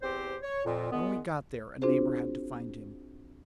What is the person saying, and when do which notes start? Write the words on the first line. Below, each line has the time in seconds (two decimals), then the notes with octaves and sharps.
When we got there, a neighbor had to find him.
0.02 E2 C4 G4 C5
0.42 C#5
0.65 F2 A#2
0.91 A#2 G#3 B3
1.82 C4 D4 F4 F#4 G#4 C5